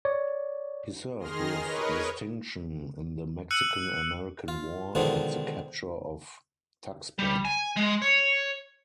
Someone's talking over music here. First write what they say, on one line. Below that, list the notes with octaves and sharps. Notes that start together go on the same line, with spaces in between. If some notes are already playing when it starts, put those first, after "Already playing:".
He served with distinction in the Mexican-American War at the capture of Tuxpan.
C#5 D5
D#3 G#4 C6 F6 A#6
A#4 B4 C#5 D#5
E6 F#6 C#7 D#7 F#7
F4
B2 D3 D#3 F3 G#3
G3
G#5
G#3
C#5